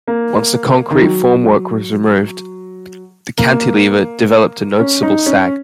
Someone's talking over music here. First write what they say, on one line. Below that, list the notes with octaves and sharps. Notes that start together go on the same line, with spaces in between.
Once the concrete formwork was removed, the cantilever developed a noticeable sag.
A#3
D#3
F#3
A#3
C#4
D#4
C#4